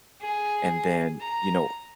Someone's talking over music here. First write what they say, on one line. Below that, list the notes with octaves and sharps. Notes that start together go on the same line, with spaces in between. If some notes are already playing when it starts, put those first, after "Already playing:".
And then, you know,
G#4
A#5